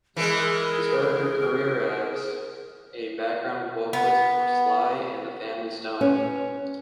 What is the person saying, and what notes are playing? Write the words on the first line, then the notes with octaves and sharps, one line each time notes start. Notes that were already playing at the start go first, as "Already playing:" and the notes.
She started her career as a background vocalist for Sly and The Family Stone.
E3 G#3 G#4 A#4
B3
C#4 B4 C#5